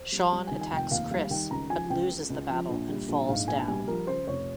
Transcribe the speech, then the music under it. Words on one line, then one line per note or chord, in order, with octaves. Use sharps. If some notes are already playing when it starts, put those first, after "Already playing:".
Sean attacks Chris, but loses the battle, and falls down.
Already playing: C5
G3
G3
D#3 G#5
G#5
F1
G5
D#2 F5
G3 F5
D#3 G5
C#2 A#5
F3 G#5
C#2 G5
C#3
C#2
F3
A#1
G3
A#1
G#2 F5
A#1 G#5
G3 G#5
F3 A#4
C#3 C5
F1 C#5